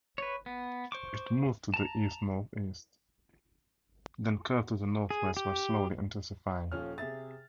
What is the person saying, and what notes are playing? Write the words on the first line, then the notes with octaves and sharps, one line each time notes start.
It moved to the east-northeast then curved to the northwest while slowly intensifying.
B4 C#5
B3
C5 C#6 D6
A5 A#5
G#4
G4
D#1 F3 C#4 F6
C3 G#4 E5 A6